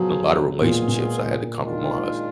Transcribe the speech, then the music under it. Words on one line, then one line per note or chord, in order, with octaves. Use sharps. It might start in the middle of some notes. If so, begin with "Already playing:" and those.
in a lotta relationships, I had to compromise.
Already playing: F3 F#3 B3 F4 G#4
A#2 G#3 B3 F4 G#4
A#2
D#3 G#3 D4 F4